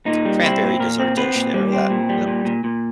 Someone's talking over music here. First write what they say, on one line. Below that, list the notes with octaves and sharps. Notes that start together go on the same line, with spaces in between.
cranberry dessert dish there that, you know,
A#2 D#4
G3
C4 E4
A#2
A#2 A#4
C4
C4 B4
A#2
G3
C4
A#2
G3
A#2
A#2
A#2